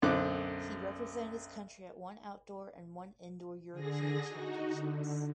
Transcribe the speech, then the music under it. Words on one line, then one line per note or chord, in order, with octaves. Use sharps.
He represented his country at one outdoor and one indoor European Championships.
B1 F#2 D3 C4 D6 F#6
D3 G#4 A#6
D#4 F#4
D3